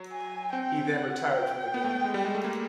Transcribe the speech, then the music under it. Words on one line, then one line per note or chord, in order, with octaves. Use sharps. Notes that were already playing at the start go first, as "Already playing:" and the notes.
He then retired from the game.
Already playing: F#3
G#5
C4 G5
F#5
G5
B3
A3
G#3
G3
G#3
A3
A#3